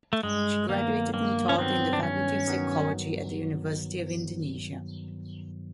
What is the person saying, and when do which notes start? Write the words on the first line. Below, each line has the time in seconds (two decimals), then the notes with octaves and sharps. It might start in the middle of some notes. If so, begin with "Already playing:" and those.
She graduated and taught in the Faculty of Psychology at the University of Indonesia.
0.13 A3
0.23 G2 G#3
0.69 D#3 F#3 A#3 B3
1.13 G2 A#3
1.49 C#4
1.58 D#3 F#3 B3 C4
1.93 D4
2.03 G2 C#4
2.48 D#3 F#3 B3